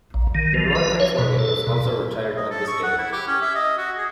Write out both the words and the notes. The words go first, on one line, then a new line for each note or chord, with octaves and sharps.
Their longtime slogan was also retired on this date.
A#1
D#3
F3
B4
C#5
B2
A4
B2
D#5
A4
C#6
F#5
E4
G4
C#4
E5
D#5
F#4
G#4